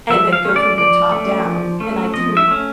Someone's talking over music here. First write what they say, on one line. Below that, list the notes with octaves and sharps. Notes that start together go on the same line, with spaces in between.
and then go from the top down. And I didn't
F3 E5
F5
A3 C#4
D5
F3 D5
A3 C#4
F3
A3 C#4
F3 D#5
E5
A3 C#4